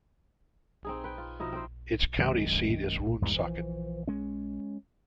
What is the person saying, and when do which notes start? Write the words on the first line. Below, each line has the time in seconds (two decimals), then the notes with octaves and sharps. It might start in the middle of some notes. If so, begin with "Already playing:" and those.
Its county seat is Woonsocket.
0.85 C4 D#4 G#4
1.04 B4 G5
1.18 F4
1.39 B2 F3 D#4 E4
1.53 C4 C5
2.18 F#2 D#3 G#3
3.22 E2 G#2 E3 G3
3.34 E3 F3
4.07 G#3 C#4